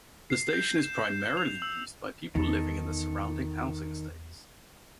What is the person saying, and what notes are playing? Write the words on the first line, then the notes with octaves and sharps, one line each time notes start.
The station is primarily used by people living in the surrounding housing estates.
C7
G6
E7
F7
E6
E2 D#3 D#4 A4